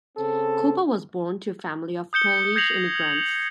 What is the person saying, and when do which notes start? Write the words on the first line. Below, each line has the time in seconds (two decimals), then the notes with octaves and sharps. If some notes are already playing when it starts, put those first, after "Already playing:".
Kopa was born to a family of Polish immigrants.
0.18 C#3 C4 A4
2.13 D#6 G6 C#7 G7
2.56 G6 G#6 A#6 C7 F7 F#7